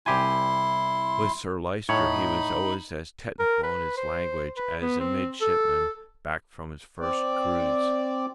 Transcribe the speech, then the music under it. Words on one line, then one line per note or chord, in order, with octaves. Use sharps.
With Sir Lyster he was always as technical in his language as a midshipman back from his first cruise.
C2 E4 G4 G#5 C6
A2 D#4 C#5 B5
A#4
B4
C5
B4
B3
C4
A4
C4 D5